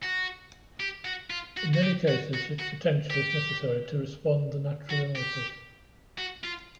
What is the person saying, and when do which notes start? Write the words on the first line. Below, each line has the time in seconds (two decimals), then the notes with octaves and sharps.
In many cases such potential is necessary to respond the natural illnesses.
0.03 F#4
0.80 G4
1.05 F#4
1.30 F4
1.57 F#4
1.74 F#4
1.82 G4
2.08 F#4
2.33 F#4
2.59 F#4
3.10 G4
4.90 F#4
5.15 G4
6.18 F#4
6.43 F4